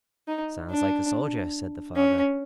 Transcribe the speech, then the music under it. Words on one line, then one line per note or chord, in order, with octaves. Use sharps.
"Sounds like a soldier," said the father.
D#4
D4
C#4